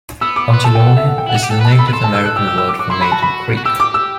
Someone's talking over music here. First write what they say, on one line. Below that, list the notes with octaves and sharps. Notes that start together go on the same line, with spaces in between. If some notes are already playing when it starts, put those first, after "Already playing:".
Ontelaunee is the Native American word for Maiden Creek.
B3 E6
D6
C6
B4
A4 A5
G5
F#5
E5
F#5
G5
E4 F#5
F#4
F#5
G4
A4 G5
B4 A5
A4
B5
B4
A4 C6
A5
E6
F#6
G4 E6
E6
E6
D6
F#4 D6
E4 C6
B5
F#4
A5
B5
F#4
G4 E6
D6
E6